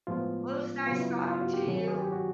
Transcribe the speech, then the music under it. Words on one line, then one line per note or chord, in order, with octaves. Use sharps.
Well, it was nice talking to you.
A2 F3 G#3 B3 F4
C#3 F#3 B3 F4
E4
F4
F#4
G4
C3 D#3 F#3 G#4
G#4
G4
F#4